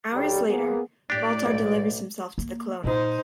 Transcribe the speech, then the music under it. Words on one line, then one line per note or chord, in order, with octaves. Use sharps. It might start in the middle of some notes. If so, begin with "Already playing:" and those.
Hours later, Baltar delivers himself to the Colonials.
B1 G3 G4
A#3 B3 G#4
A2 D4 G4 D5
B1
A#3
A#2 D#4 C5